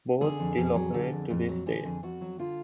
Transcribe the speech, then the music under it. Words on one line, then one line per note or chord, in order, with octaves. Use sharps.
Both still operate to this day.
D3 G#4
F2
F2
F#3
D3
F2
F2
F#3
D3 G#4
F2
F2 F#4
F#3
D3 F4